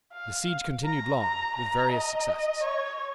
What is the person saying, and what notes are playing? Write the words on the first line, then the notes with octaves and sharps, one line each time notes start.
The siege continued long, with various success.
F5
A#5
A#5
A#5
D#5
C#5